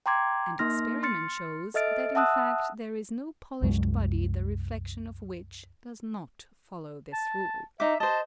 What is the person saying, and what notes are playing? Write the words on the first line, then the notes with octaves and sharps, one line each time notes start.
And experiment shows that in fact there is no polished body the reflexion of which does not follow this rule.
G5 A#5 C6 D6 G#6
A#3 D#4 C6 F6 A#6
C6 F6 A6 C#7
A4 D#5 E5 F6 A6 D7
E5 F#5 A5 D#6 E6 F#6
C2 F#2 F#3 G#3
A5
D#4 E5 D6
C5 D#5 A5